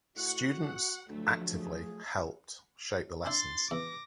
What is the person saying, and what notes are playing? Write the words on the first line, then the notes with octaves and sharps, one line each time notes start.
Students actively helped shape the lessons.
A2 F#4 F#5
D2 F3 F#3 A3
G#4
D4 E4 C6 A6
E2 D6 A#6